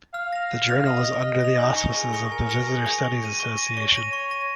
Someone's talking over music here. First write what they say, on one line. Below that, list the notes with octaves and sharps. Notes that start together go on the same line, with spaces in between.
The journal is under the auspices of the Visitor Studies Association.
F5 F6
A#6 F7
F6
A#6 F7
D#5 F6
A#6 F7
F6
A#6 F7
D#4 G#5
C#6 A#6 C#7 F7
G#4 G#5
C#6 A#6 C#7 F7
A#4 G#5
C#6 A#6 C#7 F7
G#4 G#5
C#6 A#6 C#7 F7
C#6
A#6 D#7
C#6
A#6 D#7
C#5 C#6
A#6 D#7
C#6
A#6 D#7